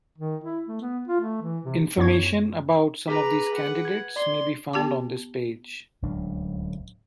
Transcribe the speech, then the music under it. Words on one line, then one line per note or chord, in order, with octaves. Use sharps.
Information about some of these candidates may be found on this page.
D#3
E4
A3
B3
F4
A3
E3
C3
F#2 B3 E4 C#5 C#6 G#6
G#4 B4 A#5 D6 B6
B4 F#5
G#6
D5 C6
B3 G4 A5 D6
D1 C#2 F#3 D4